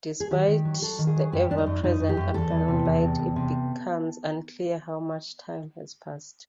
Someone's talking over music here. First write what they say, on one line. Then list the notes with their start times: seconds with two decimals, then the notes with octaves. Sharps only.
Despite the ever-present afternoon light, it becomes unclear how much time has passed.
0.20 G#4
0.31 D#3 G4
0.47 D#3
0.65 F#3
0.82 F#3 A4
0.99 D#3
1.07 G#4
1.16 F#3
1.32 F#2 G4
1.50 F#2 D4
1.58 D#4
1.66 F#2
1.83 F#2 D#4
2.00 F#2
2.09 G4
2.17 F#2
2.34 E2 A4
2.51 E2
2.68 C3
2.85 E2
3.02 C3
3.19 E2
3.36 C3